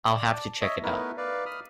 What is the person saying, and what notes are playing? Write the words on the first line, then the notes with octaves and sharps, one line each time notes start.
I’ll have to check it out.
D5 A5
C#5 D#5 E5
A3 B3 D#4 E4 A#4 B4
B4 D5 F5
B5 D#6 F6